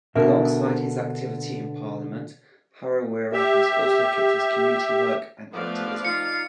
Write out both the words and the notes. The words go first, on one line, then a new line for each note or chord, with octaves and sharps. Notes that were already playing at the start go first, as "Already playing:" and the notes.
Alongside his activity in Parliament, Harawira has also kept his community work and activism.
B2 D3 A#4 E5
G4 E5
F3 A3 B3 D5 F5
D#4 F4 C#7